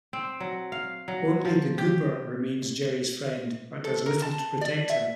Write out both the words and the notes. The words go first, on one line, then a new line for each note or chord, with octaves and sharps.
Only The Goober remains Jerry's friend but does little to protect him.
C4
F#3
F5
F#3
F3
G4
A4
A#4
A5
D5
E5